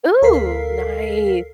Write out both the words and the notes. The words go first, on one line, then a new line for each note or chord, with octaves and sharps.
Ooh, nice.
D2 A4 A#4 F5 B6 C7